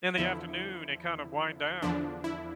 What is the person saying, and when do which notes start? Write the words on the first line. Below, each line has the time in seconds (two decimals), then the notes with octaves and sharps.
in the afternoon and kind of wind down
0.18 E2 D3 F3 E4
1.82 E2 D3 F3 D4
2.24 E4